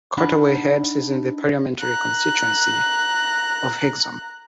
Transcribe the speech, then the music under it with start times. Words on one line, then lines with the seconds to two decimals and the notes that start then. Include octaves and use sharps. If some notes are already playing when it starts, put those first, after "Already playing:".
Carterway Heads is in the parliamentary constituency of Hexham.
0.18 D4 D#4 F#5 B5
1.80 A#5 F#6